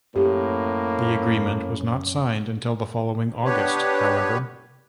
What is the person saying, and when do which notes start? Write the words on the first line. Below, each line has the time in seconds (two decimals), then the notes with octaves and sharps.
The agreement was not signed until the following August, however.
0.16 F#2 A2 A#3 C#4 G4
3.44 B3 D4 G4 B4 C#5